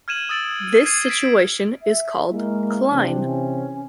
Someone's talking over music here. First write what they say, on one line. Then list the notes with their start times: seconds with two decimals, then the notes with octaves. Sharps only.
This situation is called cline.
0.08 F6 G#6 D#7 E7 F#7
0.29 D#6 E6 A6 D7 F#7
0.86 G#6 C7 D#7
1.10 B6 D7
1.82 E5
2.29 G#3 A#3 E4
2.90 C3 E3 C4 D4
3.24 C#4